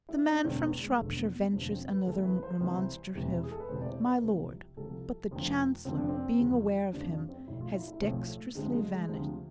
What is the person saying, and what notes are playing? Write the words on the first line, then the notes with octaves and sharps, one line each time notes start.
The man from Shropshire ventures another remonstrative "My lord!" but the Chancellor, being aware of him, has dexterously vanished.
E4
D4
E1 E2 D3 C4
B3
G#3
E1 E2 D3 F3 A3
B3
B3
E1 E2 D3 F3 D4
C4
B4
C2 C3 E3 A4
B4
C5
C2 C3 E3 C5
E1 E2 C3 E3
G#4
A4
B4
E1 E2 C3 E3 C5
D5
C5
B4
C2 C3 F3
C2 C3 F3 A4
F1 F2 D3 F3
F1 F2 D3 F3 C4
D4
C4
E2 C3 F3
E2 C3 F3 D4
D4
C4
B1 A2 F3 E4
F4
E4
E4
B1 A2 F3 C4
A3
D2 C3 F3 G#3
G#3
G#3
D2 C3 F3